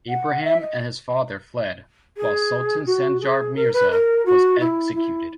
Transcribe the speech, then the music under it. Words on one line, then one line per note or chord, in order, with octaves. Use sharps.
Ibrahim and his father fled, while Sultan Sanjar Mirza was executed.
F#5
E5
D#5
G#4
F#4
G#4
A#4
B4
A#4
F#4
E4
E4